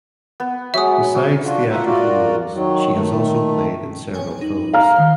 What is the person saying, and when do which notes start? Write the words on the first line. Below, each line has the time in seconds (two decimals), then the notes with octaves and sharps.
Besides theatrical roles she has also played in several films.
0.40 B3
0.74 F#3 G#3 E5 D#6
1.15 F#3
1.44 D4 F4 F#4
1.70 F4 G4 A#4 E5 F#5
1.85 F4 F#4 A#4 D5
2.53 D#3 F#3
2.94 D#3 A3
4.14 C#5 G5 G#5
4.41 D#4 F#7
4.73 F5 A#5 F6
4.96 D#3 C5